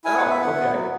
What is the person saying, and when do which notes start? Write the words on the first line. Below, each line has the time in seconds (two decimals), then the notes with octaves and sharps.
Oh, okay.
0.04 E4 G#5
0.17 B3 F#5
0.30 E5
0.39 E4 F#5
0.55 B3
0.72 F#3